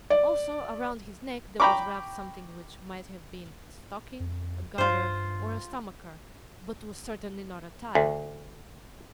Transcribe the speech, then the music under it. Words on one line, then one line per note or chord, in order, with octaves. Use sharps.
Also, around his neck there was wrapped something which might have been a stocking, a garter, or a stomacher, but was certainly not a tie.
D5
G5 A#5 B5 C#6 D6
F2
G2 F4 C5
D2